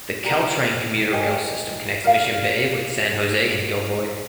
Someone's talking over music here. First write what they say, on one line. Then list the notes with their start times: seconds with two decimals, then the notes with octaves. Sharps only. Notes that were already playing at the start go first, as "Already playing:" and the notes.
The Caltrain commuter rail system connects Mission Bay with San Jose and Gilroy.
0.23 D4 G4 A#4
1.13 G4 A#4 D#5 G#5
2.04 A#4 D5 F5